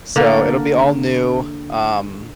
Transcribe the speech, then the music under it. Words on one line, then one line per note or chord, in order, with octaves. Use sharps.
So, it'll be all new, um
D3 A#3